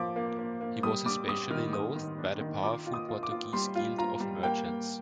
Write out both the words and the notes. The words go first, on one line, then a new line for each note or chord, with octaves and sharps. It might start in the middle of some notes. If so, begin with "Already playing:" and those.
He was especially loathed by the powerful Portuguese guild of merchants.
Already playing: F3 A#3 D6
A#3
A#3
A#3
G3 D#6
G3 D6
G3 D#6
D#3 F6
D#3 D#6
D#3
D4
D#3
F4 D6
F4
D#6
F4
D6
F4
G3 C6
F4
F4 A#5
G3
A#3 G5
A#3